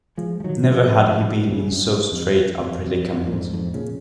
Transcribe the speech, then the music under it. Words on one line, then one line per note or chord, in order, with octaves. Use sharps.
Never had he been in so strait a predicament.
F3 G#3
F3
D#3 F#3
F#3
C#3 F3
B2
A#2 C#3
G#2
F#2
F#2
F2
F2
F2
F#2
A#2
F2 G#2
F2 G#2
A#2 C#3